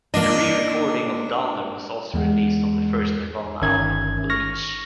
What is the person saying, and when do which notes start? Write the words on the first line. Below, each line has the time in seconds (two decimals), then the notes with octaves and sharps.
A re-recording of "Downer" was also released on the first Nirvana album, "Bleach".
0.14 A#3 D4 D#5
2.14 E2 G#3 F#5
3.62 G1 D#3 C#4 A#4 E5 G#6
4.30 C#6 F6 A#6